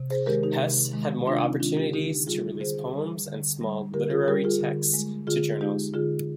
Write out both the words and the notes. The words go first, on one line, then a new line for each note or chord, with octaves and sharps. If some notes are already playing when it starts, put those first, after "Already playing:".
Hesse had more opportunities to release poems and small literary texts to journals.
Already playing: C3
G#4 C5
D#3 G#3 G4 A#4
D#4 G4
C3
D#3 G#3
C3 D4 F4
C4 D#4
D#3 G#3 D4 F4
D#4 G4
D3 D#4 G4
G3 F4 G#4
D3 G#4 C5
G3
D3
G3
D3 G4 A#4
F4 G#4
G3 G4 A#4
F4 G#4
D3
G#3
D3 F4 G#4
G#3 D#4 G4
D3 F4 G#4